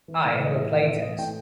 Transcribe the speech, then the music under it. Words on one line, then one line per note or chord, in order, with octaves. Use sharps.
I will play tennis.
E3
A2
E3 D#5
A2 E5
E3 F5
A2 E5
E3 D#5
A2 G5